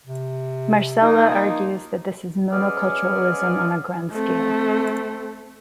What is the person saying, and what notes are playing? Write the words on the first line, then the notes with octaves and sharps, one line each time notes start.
Marsella argues that this is monoculturalism on a grand scale.
C3
F3 A#3 D#4
G#3 B3 C#4 G#4 D5 F6
A3 C4